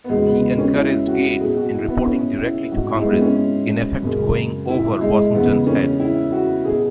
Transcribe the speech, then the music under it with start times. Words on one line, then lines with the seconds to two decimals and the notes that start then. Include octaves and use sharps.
He encouraged Gates in reporting directly to Congress, in effect going over Washington's head.
0.04 B3
0.09 E2 C#3 F#3 G#3
0.26 B3
0.58 C#4
0.74 E4
1.08 F#4
1.41 B2 F#3 G#4
1.56 F#4
1.73 E4
1.90 B3
2.05 C#4
2.39 E4
2.72 G#2 F#3 F#4
2.87 E4
2.99 G#3
3.05 B3
3.21 C#4
4.03 F#2 C#3 G#3
4.69 E4
5.01 G#3
5.34 E2 C#3 E3 G#3 B3
5.67 C#4
6.00 E4
6.32 F#4
6.65 B2 F#3 G#4